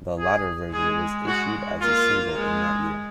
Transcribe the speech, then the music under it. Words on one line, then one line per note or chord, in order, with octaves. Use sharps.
The latter version was issued as a single in that year.
G#4
G#3 G#4
F#4
A#3 F4
G#3